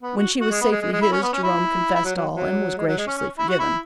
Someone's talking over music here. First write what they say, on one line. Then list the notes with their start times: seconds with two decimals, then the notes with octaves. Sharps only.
When she was safely his, Jerome confessed all and was graciously forgiven.
0.02 B3
0.17 F#4
0.40 F#4
0.50 G#3
0.61 B3
0.71 G#3
0.82 G#3
0.92 G#3
1.02 E4
1.12 C#4
1.22 B3
1.33 C#4
1.43 E4
1.94 E4
2.04 F#3
2.15 F#3
2.36 F#3
2.77 G#3
2.87 F#3
2.97 G#3
3.07 C#4
3.18 C#4
3.38 E4
3.49 F#4
3.59 E4